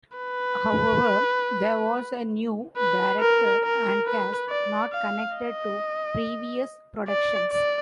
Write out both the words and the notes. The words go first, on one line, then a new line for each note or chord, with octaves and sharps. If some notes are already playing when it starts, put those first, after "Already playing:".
However, there was a new director and cast, not connected to previous productions.
B4
B4
A#4
A#4
B4
D5
F5
D#5
D5
D5